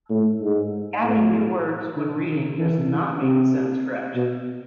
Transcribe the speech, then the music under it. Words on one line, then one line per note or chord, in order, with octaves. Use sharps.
Adding new words when reading does not make the sentence correct.
A2
G#2
A2
D3
D#3
E3
C3
B2